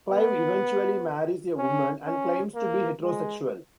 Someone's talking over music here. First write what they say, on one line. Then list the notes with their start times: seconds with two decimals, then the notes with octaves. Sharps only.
Clive eventually marries a woman and claims to be heterosexual.
0.10 B3
1.57 C#4
2.06 C#4
2.55 A#3
3.04 G#3